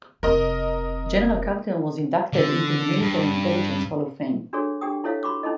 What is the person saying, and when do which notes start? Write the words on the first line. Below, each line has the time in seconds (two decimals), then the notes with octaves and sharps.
General Carter was inducted into the Military Intelligence Hall of Fame.
0.23 F1 C4 A#4 D#5
2.33 D3
3.01 G2
4.53 D4 F#4 G#4 A4 C#5
4.81 D4 G4 G#4 G5 D#6
5.04 E4 A4 C#5 E5 F5
5.23 F#4 B5 C#6 D6
5.43 C#4 D#4 E4 A4 D#5